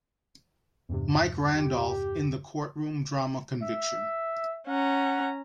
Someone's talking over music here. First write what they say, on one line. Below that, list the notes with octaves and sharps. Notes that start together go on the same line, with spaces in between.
Mike Randolf in the courtroom drama "Conviction".
E2 G2 C3
G4
E5
C#4 F#5 A#5